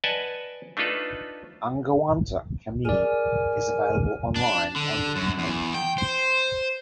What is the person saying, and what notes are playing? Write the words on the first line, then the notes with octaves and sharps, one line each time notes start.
"Angewandte Chemie" is available online and in print.
B4 D5 D#5 F#5 G#5 A5
A3 D4 D#4 F4 A4 B4
G#4 A#4 D5 G#5
D4
D3
F#2
E2
G5
C5